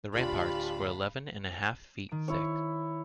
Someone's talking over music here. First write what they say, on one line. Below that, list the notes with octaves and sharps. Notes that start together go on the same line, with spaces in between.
The ramparts were eleven and a half feet thick.
D1 D4 F4 G4 F5 A5 B5
D#3 D7
E4 C#5